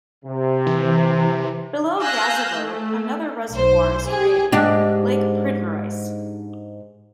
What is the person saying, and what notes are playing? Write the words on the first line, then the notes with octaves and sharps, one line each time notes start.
Below Gazivode another reservoir is created, Lake Pridvorice.
C3
E3
F5 G#5 E6 F#6 G6 A#6
A3
B1 C5
G4 G#4
G#2 D4 G4